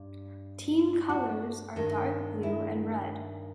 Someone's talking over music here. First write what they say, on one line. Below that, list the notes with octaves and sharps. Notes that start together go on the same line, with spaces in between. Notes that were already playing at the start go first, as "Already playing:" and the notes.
Team colours are dark blue and red.
Already playing: G2
F#4
G2 D#3
E4